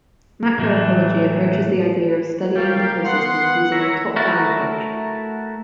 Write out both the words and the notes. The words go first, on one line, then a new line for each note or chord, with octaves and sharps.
Macroecology approaches the idea of studying ecosystems using a "top down" approach.
A2 E3 F#3 G3 A3
G3 A#4 C#5 F5
B3 F#5 C6
E4 C#5 A#5
A3 E4 F#4 A#4